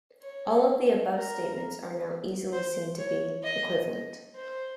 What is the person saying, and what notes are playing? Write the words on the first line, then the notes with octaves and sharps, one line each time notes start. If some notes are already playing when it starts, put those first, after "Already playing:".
All of the above statements are now easily seen to be equivalent.
C#5
A#4
C5
C#5
D#5
C5